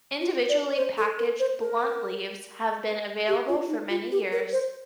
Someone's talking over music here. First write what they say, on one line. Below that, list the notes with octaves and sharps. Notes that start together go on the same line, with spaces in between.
Individually packaged blunt leaves have been available for many years.
F4
D5
C5
A4
A#4
C5
A#4
G4
F4
D#4
F4
G4
A#4
C5